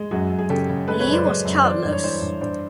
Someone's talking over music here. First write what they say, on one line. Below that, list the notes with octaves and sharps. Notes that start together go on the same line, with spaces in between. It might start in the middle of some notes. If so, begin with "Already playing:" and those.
Li was childless.
Already playing: G#3
F#2 F#4 G#4
F#2
G#4
C#3 G4 A4
C#3
G#3 A4 B4
B4 C#5
F#2
C5 D5
G#3
F#2
E3 C5 D5
G2
C#5
E3 C5 D5
G2
G2 C5 D5